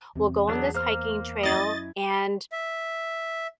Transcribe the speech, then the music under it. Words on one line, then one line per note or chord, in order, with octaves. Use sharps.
we'll go on this hiking trail, and
E2 C3
F#3 B3 D4 G#4
A#3 C5 F6
F#2 E4 D#5 G#6 A6
E5